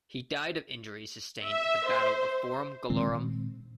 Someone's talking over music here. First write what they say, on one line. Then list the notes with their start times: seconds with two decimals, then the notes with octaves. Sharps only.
He died of injuries sustained at the Battle of Forum Gallorum.
1.45 E5
1.85 C5
2.90 A#2 D#3 G#3 C4